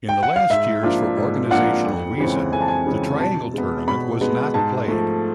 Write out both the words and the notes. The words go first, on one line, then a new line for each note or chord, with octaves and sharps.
In the last years for organisational reason the triangle-tournament was not played.
G5
F#5
F5
G#2 E5
F3 A#3 D4 F4
G#2
F3 A#3 D4 F4 F#5
F2
C#3 E3 G#3 C4
F2 G#5
A5
G#5
C#3 E3 G#3 C4
B2 A5
G#3 B3
B2 B5
G#3 B3
G#2 A5
F3 A3